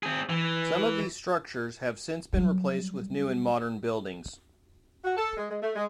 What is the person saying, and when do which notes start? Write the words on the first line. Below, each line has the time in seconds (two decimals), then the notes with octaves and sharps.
Some of these structures have since been replaced with new and modern buildings.
0.03 C4 G#4
0.30 E3
2.33 F#3 G3
5.05 F#4
5.17 A4
5.37 G#3
5.50 G#3
5.62 A3
5.76 G#3